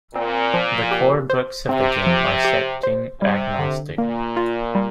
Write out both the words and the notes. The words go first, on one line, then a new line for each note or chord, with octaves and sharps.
The core books of the game are setting-agnostic.
A#2 C4
F3
G4
C5
C3 C4
F3
G4
C5
C3 G3
D3
A#2 A#3
F4
G3